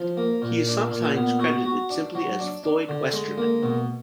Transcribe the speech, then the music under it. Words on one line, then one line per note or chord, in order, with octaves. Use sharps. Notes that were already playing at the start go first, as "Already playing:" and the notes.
He is sometimes credited simply as Floyd Westerman.
Already playing: F3
A#3
A#2
D4
A#2
B3
F#4
F#4
D4
F#3
D4
D4
D3
G#3
A#3
B2